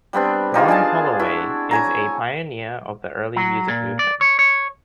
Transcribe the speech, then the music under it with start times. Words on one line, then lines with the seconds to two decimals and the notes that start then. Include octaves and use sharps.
John Holloway is a pioneer of the early music movement.
0.13 G3 B3 C4 D4
0.54 G3 D#4 F4 G#4
0.68 D4 G#4 G#5 A5
1.20 E4 F#4
1.71 C#5 G#5 A#5
3.36 F#3
3.68 A#2
3.99 D5
4.21 C#5
4.39 C#5